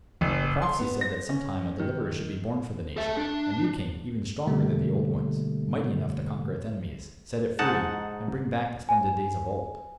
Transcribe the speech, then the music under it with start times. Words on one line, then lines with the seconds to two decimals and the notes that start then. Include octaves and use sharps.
The prophecy said that some time a deliverer should be born for the nation, a new king even stronger than the old ones, mighty enough to conquer its enemies, set it free, and bring back the splendid days of old.
0.21 F#1
0.62 C6
0.79 B3
1.01 A#6
1.29 C#4
1.79 D#3
2.97 A4 E5
3.17 D4
4.47 B2 D3 G3 A3 A#3
7.59 G#2 D#4 F#5 A5
8.89 G#5